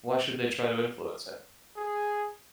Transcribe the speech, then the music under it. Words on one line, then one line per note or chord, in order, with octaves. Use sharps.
Why should they try to influence him?
G#4